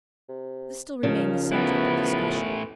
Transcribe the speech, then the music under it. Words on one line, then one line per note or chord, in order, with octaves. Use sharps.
This still remained the subject of discussion.
C3
D#2 C#3 F3
A2 E3 B3